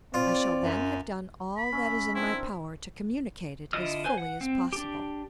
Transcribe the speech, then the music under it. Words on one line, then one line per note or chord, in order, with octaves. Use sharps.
I shall then have done all that is in my power to communicate it as fully as possible.
C4 F4 C#5 D5
F#2
B5
C#4 E5
C4 D4 E4 A#4
D3 E4 F4 D#5 F6
B4 C5 G#5
F#5
C4
D4 G4